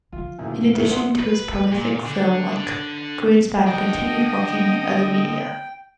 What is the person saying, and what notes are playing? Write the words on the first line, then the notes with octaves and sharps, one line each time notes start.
In addition to his prolific film work, Greenspan continued working in other media.
D3 F3 F4
D2 A#2 C#3 E4
A1 B4 F6
F#5 C6 D#6
B4
A#2
D3
D3
D3 D4 D#5 G5